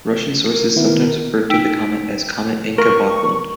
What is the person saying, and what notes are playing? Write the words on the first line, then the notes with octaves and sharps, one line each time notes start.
Russian sources sometimes referred to the comet as Comet Encke-Backlund.
A#4
D#3 B3 E4 A#4
D#4 G5 E6 B6 D7
A#4 C#6